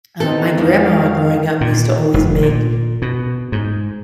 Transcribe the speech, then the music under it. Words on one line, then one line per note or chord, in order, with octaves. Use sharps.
uh, my grandma growing up used to always make
B3 C4 D#4 A4
F2 G#3 F5
A#2
F1
A#2
B2
G#2